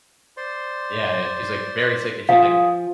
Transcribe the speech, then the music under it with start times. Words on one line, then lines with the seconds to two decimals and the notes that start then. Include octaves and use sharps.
Yeah, yeah. She's like, very sick and she's like
0.37 C5 D5 C6
2.29 F3 G#4 F5 C6